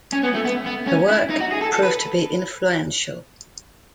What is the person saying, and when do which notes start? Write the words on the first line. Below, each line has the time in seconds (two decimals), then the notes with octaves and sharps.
The work proved to be influential.
0.12 C#4
0.23 B3
0.34 A3
0.45 B3
0.66 B3
0.87 C#4
1.09 E4
1.30 D#4
1.40 F#4
1.52 G#4
1.61 A4
1.73 A4
1.83 B4